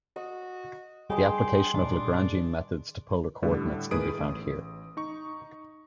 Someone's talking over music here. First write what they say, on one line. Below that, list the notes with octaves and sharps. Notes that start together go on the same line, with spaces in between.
The application of Lagrangian methods to polar coordinates can be found here.
F#4 D#5
G3 G4 G#4 D#5 C6
A#2 D#3 G3 D4
A2 D3 G3
A2 D#3 G#4 B4 D#6 D7
A1
D#4 C#6